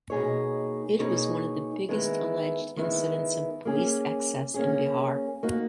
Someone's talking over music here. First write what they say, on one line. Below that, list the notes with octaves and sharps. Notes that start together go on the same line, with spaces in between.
It was one of the biggest alleged incidents of police excess in Bihar.
B2 A#3 D#4 G#4 C#5
B2 A#3 D#4 G#4 C#5
D#3 G#3 B3 E4
D#3 G#3 B3 E4
A#3 C#4 G#4
A#3 C#4 G#4
A#3 D#4 F#4